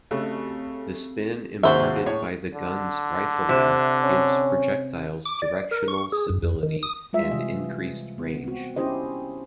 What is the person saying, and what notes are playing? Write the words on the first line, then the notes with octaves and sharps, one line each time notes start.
The spin imparted by the gun's rifling gives projectiles directional stability and increased range.
C#3 A3 C4 G4 A4
D#2 G#2 C3 A#3 F#4 G#4 C5 E5
A2 C#5
D3
C3 E5
C#4
D6
D5
A#4
C#6
G#4
F#2
F2
D#3
D#6
G3 G#3 F4 E5
C3 E3 D#5
B3
C4 F#4
C#4 D4 E4 G4 C5 D#5